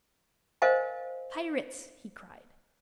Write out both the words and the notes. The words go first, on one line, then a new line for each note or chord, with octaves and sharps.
"Pirates!" he cried.
A#4 C5 D#5 F5 G#5